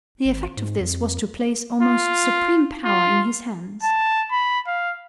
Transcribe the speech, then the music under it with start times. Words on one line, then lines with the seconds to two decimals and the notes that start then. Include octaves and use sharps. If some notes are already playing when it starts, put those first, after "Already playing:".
The effect of this was to place almost supreme power in his hands.
0.25 G#1
0.57 G#2
0.80 F2
1.81 F4
2.85 F4
3.83 A5
4.31 B5
4.67 F5